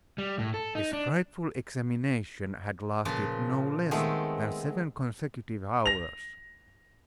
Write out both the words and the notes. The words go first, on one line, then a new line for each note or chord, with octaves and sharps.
This frightful examination had lasted no less than seven consecutive hours.
G3
A2
A4
D#4
D4
A#2 C#3 F3 F4 B4
D#3 G#3 A3 B3 C4
A#6 F7